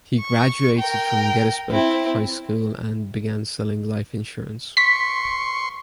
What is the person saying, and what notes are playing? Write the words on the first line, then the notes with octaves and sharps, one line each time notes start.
He graduated from Gettysburg High School and began selling life insurance.
C#6
A#4 G5
C4 E4
C6 C#6 B6